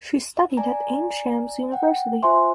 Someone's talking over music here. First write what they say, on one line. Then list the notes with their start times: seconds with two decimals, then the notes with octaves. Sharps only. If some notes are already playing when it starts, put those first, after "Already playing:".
She studied at Ain Shams University.
0.57 D5 G#5 A#5
1.72 F#5 G5
2.23 F4 C5 E5 G#5 C6 C#6